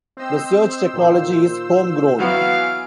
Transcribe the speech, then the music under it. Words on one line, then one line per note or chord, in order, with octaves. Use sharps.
The search technology is home grown.
C4 C5 D#5 E6
A#2 D#3 A#3
E3 F#3 B3 F5 G#5 D7